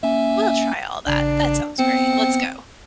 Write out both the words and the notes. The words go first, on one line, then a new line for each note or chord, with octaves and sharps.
we'll try all that, that sounds great, let's go."
A#3 C#4 E5 G#5
A1 C#3 D4
B3 C4 C#7